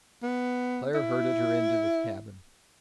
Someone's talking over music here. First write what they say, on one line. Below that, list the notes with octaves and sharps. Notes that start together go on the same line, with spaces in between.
Claire herded her into the cabin.
B3
E4